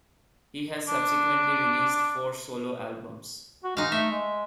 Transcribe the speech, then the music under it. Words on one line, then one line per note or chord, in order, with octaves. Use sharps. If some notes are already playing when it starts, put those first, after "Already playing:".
He has subsequently released four solo albums.
D4
F#4
G#3 D#4 F5
A3 E5
G#3